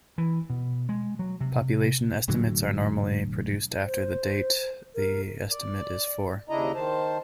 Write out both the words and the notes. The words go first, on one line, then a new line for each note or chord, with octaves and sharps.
Population estimates are normally produced after the date the estimate is for.
E3
B2
G#3
F#3
C3
E1 A2 D3 F#3
C5
A#4
D5
D#2 C#3 D4 E4 D#5 A#5
D#3 C5 A5